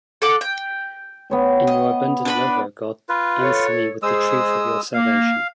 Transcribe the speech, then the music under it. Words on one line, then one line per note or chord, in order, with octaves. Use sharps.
In Your abundant love, O God, answer me with the Truth of Your salvation.
A4 F#5 D6
G5
B3 C#5 G5
D#5
D4 B4 B5
F4 B4
A4 C#5
G#3 G#4 C5 D#6 E6
A#3 F5